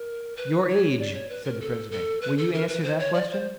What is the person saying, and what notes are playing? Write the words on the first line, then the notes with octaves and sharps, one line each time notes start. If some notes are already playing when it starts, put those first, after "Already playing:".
"Your age?" said the president; "will you answer that question?"
Already playing: A#4
B4
C#5
D5
C#5
B4
A#4
A4
A4
B4
A4
A#4
B4
C5
C#5
D5
C5